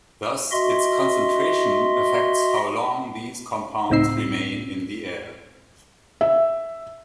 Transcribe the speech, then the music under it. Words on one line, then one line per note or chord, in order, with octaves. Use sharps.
Thus, its concentration affects how long these compounds remain in the air.
F#4 D#5 E5 C6
C#2 A2 C4 D#4 E6 C7
E5